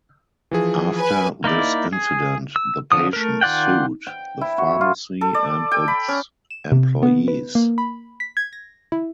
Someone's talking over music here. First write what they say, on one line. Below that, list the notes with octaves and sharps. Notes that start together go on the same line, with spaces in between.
After this incident, the patient sued the pharmacy and its employees.
E3 F3 G#4
B4 G#5
A#3 D#4 E4 D5
G#4
E6
D3 F3 D#6
A3 A#4
D#3 F4 D5 F#5 G5
G5
E4
F#4
F4
A4
D5
G5
B5
C#4
E7
C3
B3
B4
A#3
B5
B6
G#6
A#6
E4